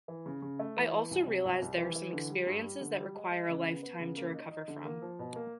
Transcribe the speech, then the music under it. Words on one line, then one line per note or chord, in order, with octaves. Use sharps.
I also realized there are some experiences that require a lifetime to recover from.
E3
C#3
C#3
A3
E3
E3
C2
C3
C2
C2
E3
E3
D3
G3
G2
G3
D3
G3
G#3
G#3
C#3
B3
B3
C#3
A#3
D#4
D#4
D3
A#3
F3
B2
A#3